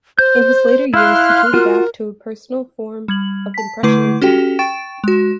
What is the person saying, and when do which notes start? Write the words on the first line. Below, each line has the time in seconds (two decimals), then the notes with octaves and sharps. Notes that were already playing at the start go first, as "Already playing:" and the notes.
In his later years, he came back to a personal form of impressionism.
0.19 C5 G6
0.94 E4 F5 C6 F6 F#6
1.54 F4 F#4 A#4
3.08 G3 G#6 F#7
3.54 A5 B6
3.83 D3 A3 E4 B4 D6 C7
4.22 C#4 F#4 G4 A4 G5
4.59 G5 C#6 A6 D7 E7
5.04 G#3 F#4